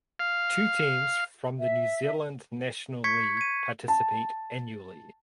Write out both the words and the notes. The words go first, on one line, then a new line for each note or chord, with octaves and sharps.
Two teams from the New Zealand National League participate annually.
F5
E5
C#6 G#6 B6 C#7
G#6 D#7
A5